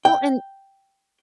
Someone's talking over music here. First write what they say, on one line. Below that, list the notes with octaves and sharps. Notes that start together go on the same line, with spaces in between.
Well, and
G5